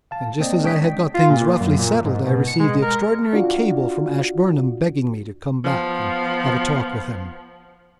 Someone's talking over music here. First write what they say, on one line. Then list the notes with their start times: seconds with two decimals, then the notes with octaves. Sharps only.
And just as I had got things roughly settled I received the extraordinary cable from Ashburnham begging me to come back and have a talk with him.
0.11 F5 A5
0.40 A#3 C4 D5 D#5
0.63 G#3 D4 C#5 G5 D#6 B6
1.14 F4
1.30 A#2
1.60 F#2
1.79 A#2
2.05 G#2
2.26 B2
2.47 C#7
2.60 G#3
2.82 A#4
3.33 D4 F4 F#4
5.64 F3 B3